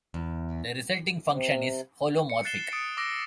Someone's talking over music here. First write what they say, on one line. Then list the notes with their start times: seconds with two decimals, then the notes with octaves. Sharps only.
The resulting function is holomorphic.
0.14 E2
1.26 C3
2.29 C#7
2.45 F#6 A6 C7 E7 G7
2.72 D#6 A6 C#7 D7
2.97 D6 E6 A#6 D7